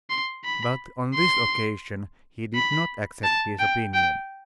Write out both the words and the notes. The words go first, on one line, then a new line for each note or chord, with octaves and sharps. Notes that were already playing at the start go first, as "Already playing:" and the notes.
But, on this occasion he did not accept his opinion.
C6
B5
C6
B5
A5
G5
G5